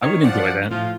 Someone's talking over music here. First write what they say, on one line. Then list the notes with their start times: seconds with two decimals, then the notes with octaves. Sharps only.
I would enjoy that.
0.02 D#3 C#5
0.24 F3 D5 F#5
0.71 A2 F3 F4